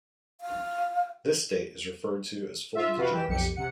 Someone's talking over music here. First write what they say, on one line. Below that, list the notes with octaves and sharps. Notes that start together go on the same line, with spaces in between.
This state is referred to as full degeneracy.
F5
F4 E5
C3 F4 F#4 B4 F5 B5
E3 G4 E7
B1 F2 G4 C#7
C3 F#5 C#7